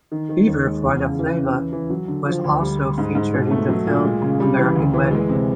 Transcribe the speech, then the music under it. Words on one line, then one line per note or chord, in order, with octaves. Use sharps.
"Fever for the Flava" was also featured in the film, "American Wedding".
D#3
D#3
D#2
G#3
E2
C#3
E3
C#4
E3
E3
F#3
D3
F3
D2
G3
G3
G#2
G#2
B2
A3
F#3
A#2
G#3
C#3
G3
E3
D2
E3
G#3
C3